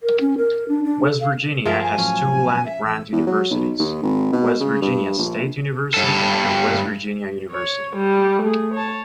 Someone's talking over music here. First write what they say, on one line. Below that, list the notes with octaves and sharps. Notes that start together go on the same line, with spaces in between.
West Virginia has two land-grant universities: West Virginia State University and West Virginia University.
A#4
C#4
A#4
D4
D4
A4
F5
G2 F3 G#4 A#4 E5
G#5
A2 F3 F#3 C#4
E5
A1 E6
E2
F#3
B1
D#2
G#1
B2
C#3
G2
A#1
G2 A4
C#5
G3
A3 G#4
C#5 A5